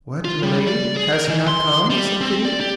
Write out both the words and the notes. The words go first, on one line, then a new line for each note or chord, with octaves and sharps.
"What, Milady! has he not come?" said Kitty.
F4
G3
D5
G#4
A#4
E3
C6
G3
C4
D5
G4